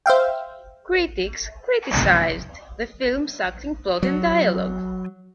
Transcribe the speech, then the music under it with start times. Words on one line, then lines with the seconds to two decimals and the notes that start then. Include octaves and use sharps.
Critics criticized the film's acting, plot, and dialogue.
0.06 C5 E5 F5 G5
4.03 F#3